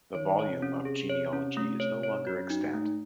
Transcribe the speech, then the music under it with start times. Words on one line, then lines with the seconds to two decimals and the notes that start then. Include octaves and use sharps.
The volume of genealogy is no longer extant.
0.15 D#3 C#5
0.39 C#5
0.51 C3
0.62 C#4
0.85 G#4
1.09 C#5
1.33 C#4
1.57 A3
1.80 C#5
2.03 C#5
2.27 F#2 F#4
2.50 D#4
2.63 G#2
2.74 A3